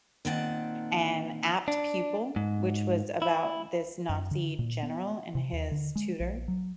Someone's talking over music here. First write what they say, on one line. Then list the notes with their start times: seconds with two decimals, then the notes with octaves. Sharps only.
and Apt Pupil, which was about this Nazi general and his tutor,
0.25 A#2 D#3 C4 F#5 A5
1.68 D4
2.36 G#2
3.22 E4
4.09 F#2
4.31 D3
4.59 A#2
4.83 B3
5.35 C3
5.53 D#2
5.71 D3
5.95 G#3
6.20 A#1
6.48 F#3